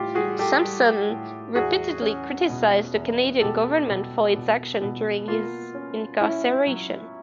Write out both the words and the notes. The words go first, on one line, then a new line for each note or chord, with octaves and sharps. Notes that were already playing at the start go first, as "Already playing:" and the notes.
Sampson repeatedly criticised the Canadian government for its actions during his incarceration.
Already playing: A2 F4 G4
G3 F#4 G#4
G4 A4
G3
A2
E2 F#4 G#4
C#4
B2
E2
B2 G4 A4
B2
B2
B2
A#3 F4
C#4
C#4 E4
F#3